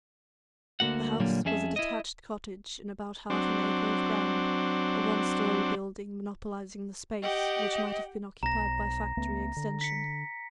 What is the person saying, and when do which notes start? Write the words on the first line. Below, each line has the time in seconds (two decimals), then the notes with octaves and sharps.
The "house" was a detached cottage in about half an acre of ground, a one-storey building, monopolising the space which might have been occupied by factory extension.
0.80 D2 D3 A#3 F#4 F#5
1.20 A#2 D3 F#3 G3 A#3
1.45 F2 C#4 G#4 E5 A5
1.76 E4 D#5
3.30 F#3 C4 D4
7.22 G4 D#5 F#5 G5
8.43 B1 A#5 A#6
9.17 C#2 A3 B3
9.56 D3
9.81 B6 C#7